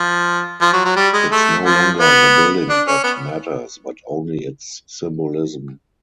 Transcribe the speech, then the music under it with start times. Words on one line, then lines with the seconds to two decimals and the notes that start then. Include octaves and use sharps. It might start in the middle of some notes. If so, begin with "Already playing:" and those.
It's no longer the building that matters, but only its symbolism.
Already playing: F3
0.61 F3
0.73 F#3
0.85 F#3
0.96 G3
1.14 G#3
1.31 A3
1.66 F3
2.00 B3
2.69 D4
2.87 C#4
3.04 B3